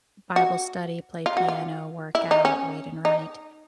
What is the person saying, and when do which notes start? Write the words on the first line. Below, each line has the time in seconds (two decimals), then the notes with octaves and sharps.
bible study, play piano, workout, read and write.
0.36 F#4
1.26 F4
1.37 F#4
1.48 F4
2.15 E4
2.31 D#4
2.45 C#4
3.05 D#4